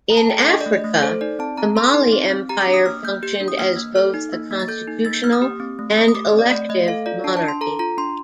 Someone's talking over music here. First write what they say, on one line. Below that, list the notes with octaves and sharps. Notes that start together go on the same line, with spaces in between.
In Africa, the Mali Empire functioned as both a constitutional and elective monarchy.
A3 A#5
A5
A4 G5
D4 D#5
D5
A3
D#5
A3
A4 C5
D#4 D5
C4 A5
C4 A#5
A4 C6
D#4
C4
C4
G4 A#5
D6
D4
D#6
A#3 F6
A#3 G6
G4 G6
D4
D#6
A#3 F6
A#3
A4 F6
D#4
A#3
A#3
A6
A4 G6
D#4
A#3 A6
G6
A#3 F6
D#6
G4
C4
A3
A3
D#6
G4 D6
D#5
C4
D5
A3 D5
A3 D#5
A4 F5
F4 D5
D4 A5
A5
D4
C6
A4 A#5
F4 A#5
D4 C6